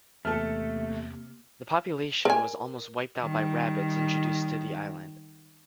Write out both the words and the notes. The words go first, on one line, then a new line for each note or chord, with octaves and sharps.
The population was almost wiped out by rabbits introduced to the island.
E2 C3 A3 A#3 A4 F6
A#4 G#5
D#3 G3